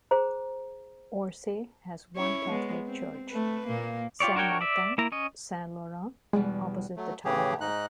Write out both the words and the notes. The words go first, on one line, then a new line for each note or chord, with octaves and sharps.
Orsay has one Catholic church: Saint-Martin - Saint-Laurent, opposite the town hall.
G#4 C5 A#5
C#4 E4 C#5
G#3 B3
C4
A3 B4
A#2 A#3
F4 G4 C#5 D5
D4 F#4 A#4 C#5 G5
D5 E5
A#3 E4 A#5
C#4 C#5 D#5
E2 B2 G3 G#3
F#3 A3
A2 C#3 E3 G4 G#4
G#2 D#4 F#6